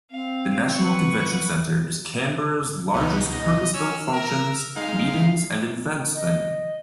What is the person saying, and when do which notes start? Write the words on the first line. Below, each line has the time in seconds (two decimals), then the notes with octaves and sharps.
The National Convention Centre is Canberra's largest, purpose-built functions, meetings and events venue.
0.11 C4 F5
0.75 B4 F#5 C#6
2.93 C#2 B2 B3 D#4
3.32 D#5
3.74 C#4 E6 F6
4.12 A#4
4.76 G#3 D#4 F5
6.14 D#5